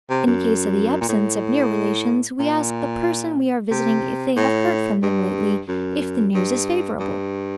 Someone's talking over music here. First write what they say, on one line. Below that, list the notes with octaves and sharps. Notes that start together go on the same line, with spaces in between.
In case of the absence of near relations, we ask the person we are visiting, if they have heard from them lately, if the news is favorable.
C3
F#2
A#2
A2
A#2
C3
A2
G2
F#2
G2
G2